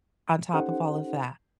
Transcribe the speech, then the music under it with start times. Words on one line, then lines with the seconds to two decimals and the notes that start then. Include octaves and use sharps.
on top of all of that.
0.53 C#4 D#4 G4 A4 C5 F#5